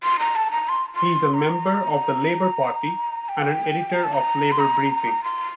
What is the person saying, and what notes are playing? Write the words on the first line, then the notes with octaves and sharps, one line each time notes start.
He is a member of the Labour Party and an editor of Labour Briefing.
C6
A#5
A5
A#5
C6
C6
A#5
G5
A#5
A5
A#5
C6
A#5
C6